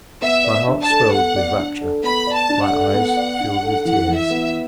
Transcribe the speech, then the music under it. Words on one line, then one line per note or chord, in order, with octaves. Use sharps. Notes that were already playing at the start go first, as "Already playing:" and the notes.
My heart swelled with rapture, my eyes filled with tears.
B3 E5
D5
D4
A5
A4
B3 F#5
D5
D4
A4
B3 B5
D5
A5
D4
F#5
A4
B3
D5
D4
A4
E3 F#5
E3
E5
B3